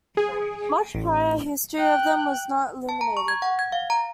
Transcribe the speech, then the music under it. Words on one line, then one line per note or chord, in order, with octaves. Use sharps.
Much prior history of them was not illuminated.
G#4
A1
G5 F#6
A5
A#5
C#6
G#6
F#5
G#6
F5
A#5